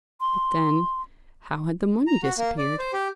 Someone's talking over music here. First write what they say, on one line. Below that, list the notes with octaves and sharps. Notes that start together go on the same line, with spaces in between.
But then--how had the money disappeared?
C6
A#5
F#4
A#3
D5
C5
G4